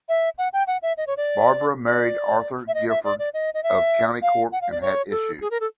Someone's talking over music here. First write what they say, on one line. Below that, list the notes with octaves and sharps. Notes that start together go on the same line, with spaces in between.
Barbara married Arthur Gifford of County Cork and had issue.
E5
F#5
G5
F#5
E5
D#5
C#5
D5
D5
E5
D#5
E5
D5
D5
D#5
D#5
E5
F5
F#5
F5
D5
C#5
A4
G#4
A#4
A4